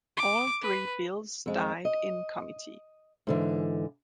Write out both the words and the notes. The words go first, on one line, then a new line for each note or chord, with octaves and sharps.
All three bills died in committee.
D6
B4
F2 G#3
D#5
G#2 D3 E3